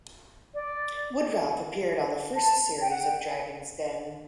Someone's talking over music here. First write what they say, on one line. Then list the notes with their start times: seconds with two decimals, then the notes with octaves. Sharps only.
Woodroffe appeared on the first series of Dragons' Den.
0.54 D5
2.36 A5
2.81 G5
2.91 F#5
3.01 G5